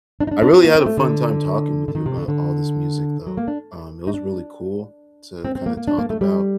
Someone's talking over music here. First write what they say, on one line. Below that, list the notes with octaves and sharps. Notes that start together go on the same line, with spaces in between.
I really had a fun time talking with you about all this music though. Um, it was really cool to kinda talk about
D4
D#4
D4
D4
C4
A#3
C4
A3
D3
D3
D#3
C3
D3
D3
F#3
A#3
D4
D#4
D4
C4
C4
A#3
A#3
D4
A#3
A3
G3